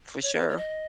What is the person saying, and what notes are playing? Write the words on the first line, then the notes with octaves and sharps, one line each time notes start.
for sure.
C#5
B4
C#5
D#5